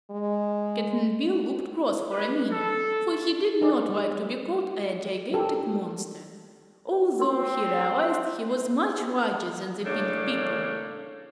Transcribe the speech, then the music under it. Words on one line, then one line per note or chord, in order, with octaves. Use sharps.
Cap'n Bill looked cross for a minute, for he did not like to be called a "gigantic monster," although he realized he was much larger than the pink people.
G#3
B4
A4
D#4 G#4 A#4 D5
G3
G4 A4 A#4
C4 A#4 C6
A2 C#3 A#3 D4 C#5